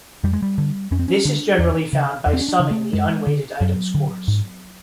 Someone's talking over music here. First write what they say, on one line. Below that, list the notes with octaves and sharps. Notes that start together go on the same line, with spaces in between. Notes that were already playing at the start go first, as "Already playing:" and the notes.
This is generally found by summing the un-weighted item scores.
F2 G3
G#3
G3
D3
F2 C#4
C4
C#4
D3 D4
E2
C#3
E2
C4
C#4
D4
C#3
A3
F#2 G#3
D3
F#2 F#3
D3
G#2